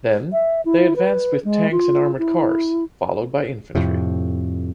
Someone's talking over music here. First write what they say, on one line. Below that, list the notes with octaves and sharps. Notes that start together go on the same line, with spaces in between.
Then, they advanced with tanks and armored cars, followed by infantry.
E5
E4
B4
G#3
F4
E4
F2 A2 C3